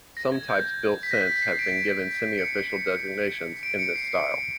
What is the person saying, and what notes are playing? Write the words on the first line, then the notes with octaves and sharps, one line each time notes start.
Some types built since have been given semi-official designations in this style.
A#6
G#6
G6
B6
A#6
B6
C7
D7
C#7
D7
C#7
C7